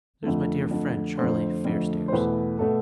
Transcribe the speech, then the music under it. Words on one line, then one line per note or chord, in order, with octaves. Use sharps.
There's my dear friend Charlie Fairstairs.
F2 D3 A3
F2 D3 A3
F2 D3 A3 C5
F2 D3 A3
C5
E2 B2 A3 B4
B2 A3 A4